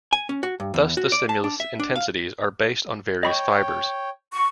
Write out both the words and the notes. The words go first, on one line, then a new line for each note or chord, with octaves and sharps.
Thus, the stimulus intensities are based on various fibers.
G#5
C#4
F#4
G2
E2
F#4
D5
A5
D4
E5
D4
F5
C#5 D#5 G5 B5 C#6
C#6